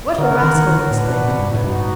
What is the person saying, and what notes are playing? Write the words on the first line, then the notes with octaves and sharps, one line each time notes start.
"What a rascal!" exclaimed the clerk.
D3 F#4 A#4 C#5 F#5
C#3
D#3
D#3
D#3
D3
A2 D4 F#4 B4
B2
C3
G2
A2
G2 B3 D#4 F#4